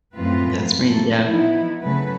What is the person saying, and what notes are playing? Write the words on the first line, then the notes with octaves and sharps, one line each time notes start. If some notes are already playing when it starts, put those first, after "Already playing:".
That's me, yeah.
F#2 A2 F3 C4 F4 B4
C3 A3 A#3 A4
E3 F3 B3 D#4 E4
C#3 F#3 A3 B4